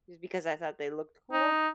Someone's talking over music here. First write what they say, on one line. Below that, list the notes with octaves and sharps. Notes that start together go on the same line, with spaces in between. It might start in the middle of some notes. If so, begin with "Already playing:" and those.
just because I thought they looked cool.
D#4